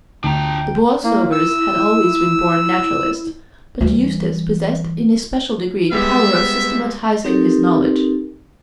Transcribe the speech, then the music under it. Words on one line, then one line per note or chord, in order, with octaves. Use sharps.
The Borlsovers had always been born naturalists, but Eustace possessed in a special degree the power of systematizing his knowledge.
D2 D4 G5 A#5
A#3 E4
E6
D2 E3 G3
G3 G#3 B3 E5
C4 D#4 G4 A4 A#4